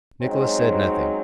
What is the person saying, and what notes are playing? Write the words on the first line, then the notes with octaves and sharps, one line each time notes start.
Nicholas said nothing.
F#3 G#3 C4 C#4 D#4